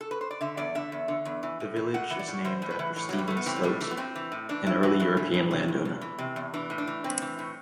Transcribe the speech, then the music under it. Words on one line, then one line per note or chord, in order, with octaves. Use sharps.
The village is named after Stephen Sloat, an early European landowner.
A4
B4
C5
D5
D3 E5
E2 D5
D3 E5
E2
D3
E2
E3
A2
E3
A2 F#5
E3
D5
A2
E3 C5
A2
B4
E3
A2
E3 F#3
G3
A2 A3
B3
E3 C4
F#3
A2 G3
E3 A3
B3
A2 C4
E3
A2
E3 D4
G2 E4
E3 F#4
G2 E4
E3
G2
C3
E2
E2
E3
C3
E2
E3 D4
A2
D4
E3
A2 C4
E3
A2